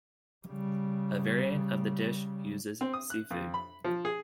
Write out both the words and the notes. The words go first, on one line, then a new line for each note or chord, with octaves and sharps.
A variant of the dish uses seafood.
C#3 G3
C4
D#6
F#6
F2
B5
F3
G#4